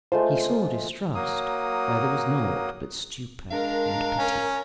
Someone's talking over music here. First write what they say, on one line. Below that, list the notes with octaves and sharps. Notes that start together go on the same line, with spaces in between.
He saw distrust where there was naught but stupor and pity.
G#3 A3 F4 C5
F#3 A#3 D#6
G#3 D4 A#4 F5
C#4